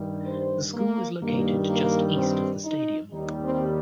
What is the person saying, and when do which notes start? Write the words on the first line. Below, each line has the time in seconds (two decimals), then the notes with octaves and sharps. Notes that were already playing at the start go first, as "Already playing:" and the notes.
The school is located just East of the stadium.
Already playing: G2 D#3 G3
0.26 C5
0.74 A#3
1.21 G2 D#3 G3 A#3
1.69 A#3
2.17 C4
2.64 D#4
3.12 D#2 D#3 G3 D#4
3.43 C4